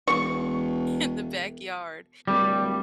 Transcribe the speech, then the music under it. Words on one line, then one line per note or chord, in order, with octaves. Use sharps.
in the backyard.
E1 C#6
D1 G3